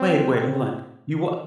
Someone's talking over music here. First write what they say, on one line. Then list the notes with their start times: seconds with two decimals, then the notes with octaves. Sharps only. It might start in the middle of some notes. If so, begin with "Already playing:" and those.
Wait, wait, hold on, you wha
Already playing: C4
0.32 C4